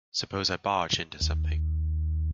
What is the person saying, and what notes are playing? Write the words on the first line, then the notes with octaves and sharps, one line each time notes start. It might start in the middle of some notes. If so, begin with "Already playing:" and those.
Suppose I barge into something.
D#2